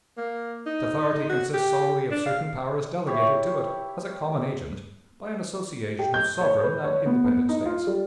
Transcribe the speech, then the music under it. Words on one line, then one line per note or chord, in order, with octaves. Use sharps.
Its authority consists solely of certain powers delegated to it, as a common agent, by an association of sovereign and independent States.
A#3
D#4
F#4
G4
D4
F5
E4 G4 C#5
G4
G6
C#5
B4
C#5
B3
B3
D#4
F4
G3